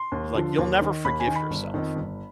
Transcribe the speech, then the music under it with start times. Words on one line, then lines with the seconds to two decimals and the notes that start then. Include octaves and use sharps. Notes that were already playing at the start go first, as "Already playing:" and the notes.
like, "You'll never forgive yourself,"
Already playing: C6
0.12 D#2
0.35 D3 F3
0.58 D#2
0.81 D#3
1.05 D#2 B5
1.20 G#5
1.27 D#3
1.36 B5
1.51 G1
1.74 F2 D#3
1.96 G1